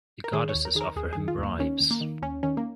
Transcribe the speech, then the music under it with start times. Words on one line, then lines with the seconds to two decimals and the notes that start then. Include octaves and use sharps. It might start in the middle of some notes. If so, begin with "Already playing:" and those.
The goddesses offer him bribes.
0.24 A#4
0.33 D#3 G#4
0.49 C#5
0.54 D#2
0.65 A#4
0.75 D#3 G#4
0.81 A#4
0.96 D#2 G#4
1.13 D#3 G#4
1.28 F4
1.38 D#2 A#3
1.59 D#3 C#4
1.80 D#2
1.91 A#3
2.01 D#3
2.22 D#2 C#4
2.43 D#3 C#4
2.57 A#3